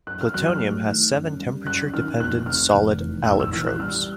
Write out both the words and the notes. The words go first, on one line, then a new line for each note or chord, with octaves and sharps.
Plutonium has seven temperature-dependent solid allotropes.
F#2 F#6
F6
F#3 F#6
F6
A3
D#3
F#2
G3
F#2 F#6
D#3 F6
F1 F#6
C3 F6
F1
E2
A#1 E6
E6
E3 F6
F#6
G3 F6